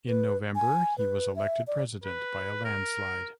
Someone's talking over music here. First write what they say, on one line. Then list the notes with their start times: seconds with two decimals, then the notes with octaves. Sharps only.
In November he was elected President by a landslide.
0.08 B4
0.55 G#5
0.98 B4
1.36 E5
1.67 D5
2.04 B4
2.65 A#4